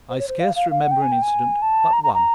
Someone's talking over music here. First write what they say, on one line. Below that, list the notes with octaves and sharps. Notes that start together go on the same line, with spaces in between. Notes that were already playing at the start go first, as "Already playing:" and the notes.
I scarce remember an incident but one.
C5
C#5
C5
F5
F5
F5
F#5
G5
G#5
G5
G#5
A5
A#5
A#5
A#5